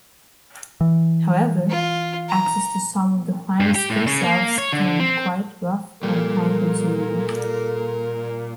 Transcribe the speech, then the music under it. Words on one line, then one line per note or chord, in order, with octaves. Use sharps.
However, access to some of the climbs themselves can be quite rough and time-consuming.
E3
F4
A#5
G2
G4
A2
C#3
A#3
C#5
D3
C4
A#2 G3 A4 A#4